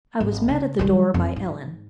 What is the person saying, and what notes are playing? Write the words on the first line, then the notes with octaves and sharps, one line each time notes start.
I was met at the door by Ellen.
G#1
C#3
D#3 G3
F2
G#2